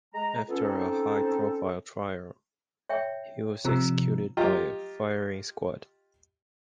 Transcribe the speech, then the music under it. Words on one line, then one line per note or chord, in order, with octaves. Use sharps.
After a high-profile trial, he was executed by a firing squad.
G#3 A#5
B3 C#4 F4 A4
C4 C#4 D#4 A4
C#5 E5 G5
C3 F3 C5 A#5 E6
F4 G4 D#5 A#5